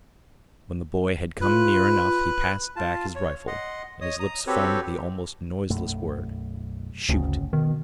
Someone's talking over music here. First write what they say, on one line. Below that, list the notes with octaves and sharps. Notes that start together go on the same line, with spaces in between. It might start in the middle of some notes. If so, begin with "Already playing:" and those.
When the boy had come near enough he passed back his rifle, and his lips formed the almost noiseless word, "Shoot!"
F4 B4
F4 A5
C#5
D#5 F#5 C6
C#5 D#5 D#6
A#5 D#6
C4 F#4 G4 A4 B4 C#5
B1 F#2 A3
G1 D2 C#3
B2 D#3